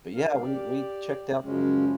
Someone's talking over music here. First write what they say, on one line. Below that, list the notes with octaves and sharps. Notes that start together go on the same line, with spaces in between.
but, yeah, we we checked out
D4 A#4 F5
G4 D5
F#2 C#3 F3 G#3 C#4